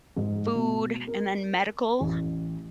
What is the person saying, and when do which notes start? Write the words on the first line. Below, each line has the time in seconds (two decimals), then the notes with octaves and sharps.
food, and then medical,
0.16 G#2
0.55 B2
1.07 A#4
2.01 A1